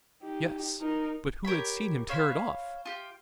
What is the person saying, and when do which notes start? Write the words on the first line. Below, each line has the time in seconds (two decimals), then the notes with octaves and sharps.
Yes! but who had seen him tear it off?
0.22 D#4 G4
0.81 D#4 A#4
1.45 G4 A#4 C#5 B5
2.09 C5 C#5 F5 B5
2.85 F4 G4